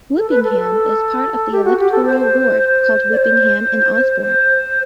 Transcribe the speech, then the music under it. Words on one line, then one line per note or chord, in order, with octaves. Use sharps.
Whippingham is part of the electoral ward called Whippingham and Osbourne.
A4
B4
A4
G4
F#4
G4
A4
C5
D5
C5
C5